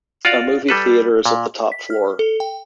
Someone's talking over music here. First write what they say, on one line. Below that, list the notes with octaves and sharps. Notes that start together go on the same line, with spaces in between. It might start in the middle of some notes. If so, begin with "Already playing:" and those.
A movie theatre is at the top floor.
F4 F#4 D5 F5
G3 A4 B4
A#2
B6
F6
A4
G5